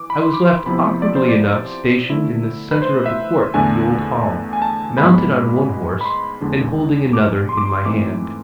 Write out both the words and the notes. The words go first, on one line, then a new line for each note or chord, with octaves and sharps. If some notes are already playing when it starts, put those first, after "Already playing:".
I was left awkwardly enough stationed in the centre of the court of the old hall, mounted on one horse, and holding another in my hand.
Already playing: E3 D6
B5
C6
D6
C6
C3 F3 B3 E4 B5
D5
C5
D5
D3 A3 E4
B4
C5
E5
E2 D3 A3 D4 G#5
G#5
A5
G#2 G#3 B3 B5
B5
C6
E2 D3 G#3 D4
D6
C6
D6
C6
G#2 E3 A3 C4 D6